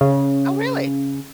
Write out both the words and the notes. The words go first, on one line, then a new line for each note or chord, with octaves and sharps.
Oh, really?
C#3